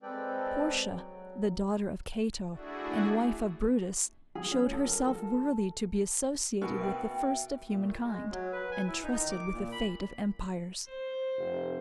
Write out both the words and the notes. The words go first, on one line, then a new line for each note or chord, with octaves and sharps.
Portia, the daughter of Cato, and wife of Brutus, showed herself worthy to be associated with the first of human kind, and trusted with the fate of empires.
G#3 C4 A4 B4 D5 G5
F#3
A3 D4 E4 F#4 G#4
G#4
C#4
A4
A#4
A4
B2 A#4 D7
E5 G5
A#2
A3
G#3
F#3
B4
G#5
E4
D#4
D#3
D6
A#2
B5
C5
F1